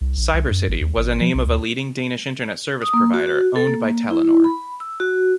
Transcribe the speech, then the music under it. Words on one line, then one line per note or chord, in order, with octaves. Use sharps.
Cybercity was a name of a leading Danish internet service provider owned by Telenor.
C2
A#1
C2
F#2
G#1
D#2
G#1
F3
B1
D2
D#6
A#3
F#4
F#4
A4
A#3
E4
B5
E6
F#4